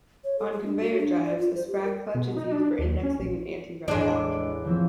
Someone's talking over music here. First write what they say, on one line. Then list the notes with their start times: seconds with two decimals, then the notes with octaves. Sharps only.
On conveyor drives, a sprag clutch is used for indexing and anti-runback.
0.24 C#5
0.39 A4
0.52 G#4
0.66 D4
0.81 F#4
0.98 D4
1.24 D5
1.38 F4
1.55 C5
1.68 G4
1.84 A#4
2.15 B2
2.37 D#4
2.52 D4
2.79 D#2
3.03 C#4
3.19 A#1
3.88 A1 E2 G#3 D4
4.15 D6
4.65 E3 F3 C4